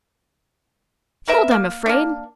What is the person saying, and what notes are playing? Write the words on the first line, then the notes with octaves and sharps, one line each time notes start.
Killed, I'm afraid!
A#3 A#4 B4 E5
A#3
A#3 D4